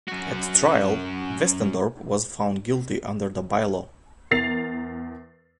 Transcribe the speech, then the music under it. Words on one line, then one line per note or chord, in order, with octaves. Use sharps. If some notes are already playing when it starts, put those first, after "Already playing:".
At trial, Westendorp was found guilty under the by-law.
F#2 F#4
E2 A#4 A6 C7 F7